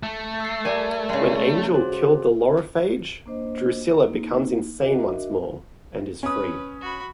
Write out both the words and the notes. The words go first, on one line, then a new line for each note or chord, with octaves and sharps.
When Angel killed the Lorophage, Drusilla becomes insane once more, and is free.
A3
E6 C7
G3 A#4 D5 G#5
C#3 G#3
F#4 G#4 C5
A#3 D4 C5 D#5
A#3 D#4 E4
D4 F#4 A#4 D#5 E5
C#4 B4 D#6
F#4 B5